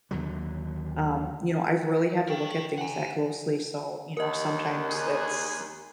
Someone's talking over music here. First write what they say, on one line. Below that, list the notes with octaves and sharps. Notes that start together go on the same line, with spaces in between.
um, you know, I've really had to look at things that closely, so, you know, sometimes that's
D#2 D3 F#3
A#4 G5
F#5 G#5
D#2 A#4 D#5
G#4